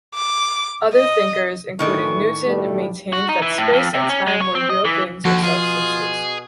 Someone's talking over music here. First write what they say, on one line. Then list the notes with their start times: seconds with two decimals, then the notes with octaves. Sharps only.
Other thinkers, including Newton, maintained that space and time were real things or substances.
0.15 D6
0.95 D#5
1.79 A2 D#3 E3 A3 D4 A4 C#6
2.47 B2 G3 A3
3.13 F#4
3.29 D#4
3.42 E3
3.58 A2
3.73 F2
3.94 C3
4.09 C#4
4.27 G#3
4.41 C#5
4.55 C4
4.70 D#5
4.85 E3
5.25 D#2 D3 F3 F#4
5.43 B2 F4 G#4